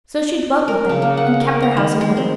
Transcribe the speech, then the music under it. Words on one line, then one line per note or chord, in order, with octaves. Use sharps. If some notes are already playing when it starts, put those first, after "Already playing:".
So she dwelt with them, and kept their house in order.
A#4
C#3
A#3
F#5
A#4
A#5
D#3
G#3
C4